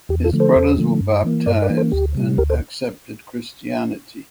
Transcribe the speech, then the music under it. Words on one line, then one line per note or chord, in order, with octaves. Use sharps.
His brothers were baptised and accepted Christianity.
E2 G4
F4 A4
D3 F3 A3
A4 C5
E2
D3 F3 A3
G2
E3 A#3
G2 A#4 D5
A#4 D5
E3 A#3
A4 C5
D2 G4
C3 G3
D2 G4 A#4
A4 C5